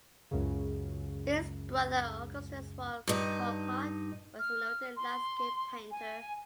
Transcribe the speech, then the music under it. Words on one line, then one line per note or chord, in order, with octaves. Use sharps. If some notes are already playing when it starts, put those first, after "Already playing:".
His brother, Augustus Wall Callcott, was a noted landscape painter.
C#2 F#2 C#3
G2 D#4
F6
C6
G#5